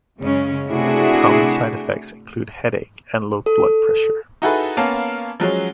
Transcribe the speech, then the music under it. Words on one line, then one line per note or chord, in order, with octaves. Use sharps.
Common side effects include headache and low blood pressure.
F#2 C#3 G#3 C#4
C3 A3 D4 E4 F#4 G#4
A4
D#4 E4 F#4 G#4 A4 B4
A#3 B3 C#4 F5 A5
F3 F#3 G#3 C#4